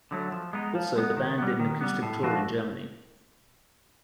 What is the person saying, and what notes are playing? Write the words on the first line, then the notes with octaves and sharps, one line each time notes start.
Also, the band did an acoustic tour in Germany.
D3 F#3 A3
F3
G#3 B3 D#4
F3
G#3 B3 D#4
D#3
G3 B3
D#3
G3 B3
A2
F3 A3 D4 F#4